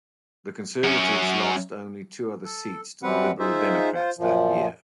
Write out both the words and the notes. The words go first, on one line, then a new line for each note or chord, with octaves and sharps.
The Conservatives lost only two other seats to the Liberal Democrats that year.
F#2 C#4
A4
F#2 G3 C4 B4 F#5
D#4 F4 G#4 C5 E5
F4 C5
F#2 A#2 F3